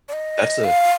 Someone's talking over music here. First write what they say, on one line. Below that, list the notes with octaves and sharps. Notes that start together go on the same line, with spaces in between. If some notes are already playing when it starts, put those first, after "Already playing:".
That's a
D5
D#5
F5